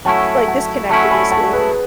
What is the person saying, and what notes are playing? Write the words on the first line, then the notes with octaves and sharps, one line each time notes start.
like, disconnected, basically.
F#3 A3 C#4 E4 F#5 A5
F#5 A5
F#3 A3 C#4 E4 F#5 A5
G#5 B5
F#5 A5
G#4 B4